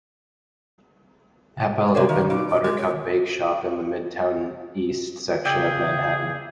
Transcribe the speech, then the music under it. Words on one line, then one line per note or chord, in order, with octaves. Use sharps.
Appel opened Buttercup Bake Shop in the Midtown East section of Manhattan.
C3 G#4 C5 D5 E5
D#3 F5
B2 D#4 D6
D5
G#3 G4
C#5
C#3 G#4 D5 E5 G5